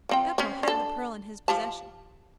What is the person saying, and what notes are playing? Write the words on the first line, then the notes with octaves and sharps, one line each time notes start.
Beppo had the pearl in his possession.
F3 C4 G5
C4 C#4
D4 A4
F3 G4 A5